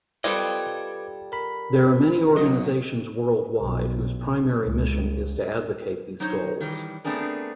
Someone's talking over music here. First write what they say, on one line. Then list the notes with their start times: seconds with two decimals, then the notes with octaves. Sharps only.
There are many organisations worldwide whose primary mission is to advocate these goals.
0.24 G3 F4 A4 B4 C5 D#5 D6 G#6
1.32 A#4 B5
2.37 B2 F#3 D#5
3.58 B1
4.63 C#2
6.20 F#3 D#4 C5 C#5
6.61 D#3 E3 G3
7.05 A3 B3 C4 D4 G#4 A#4